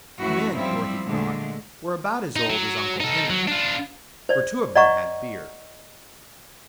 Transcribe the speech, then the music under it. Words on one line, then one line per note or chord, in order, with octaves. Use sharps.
The men, Dorothy thought, were about as old as Uncle Henry, for two of them had beards.
F#2 E3 A3 E4 F#4
F3 G3 C4 E4
A#2 D3 G#3 A3
D#4
F#3
D#4 A4
F#3
D4 F4
C5 D5
D5 D#5 F#5 A#5 C#6